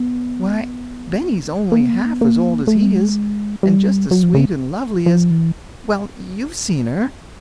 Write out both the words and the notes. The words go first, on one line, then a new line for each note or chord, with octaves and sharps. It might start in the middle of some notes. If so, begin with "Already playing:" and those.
Why, Benny's only half as old as he is, and just as sweet and lovely as--well, you've seen her.
Already playing: B3
A#3
B3
A#3
B3
A#3
B3
A#3
A3
G#3
G3
G#3
G3
F#3
F3
C#3
F3
E3